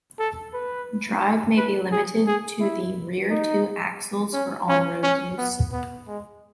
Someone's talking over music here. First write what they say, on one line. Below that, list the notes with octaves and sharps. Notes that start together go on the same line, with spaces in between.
Drive may be limited to the rear two axles for on-road use.
A4
B4
B4
G#4
G#4
E4
D#4
C#4
C#4
C#4
B3
B3
G#3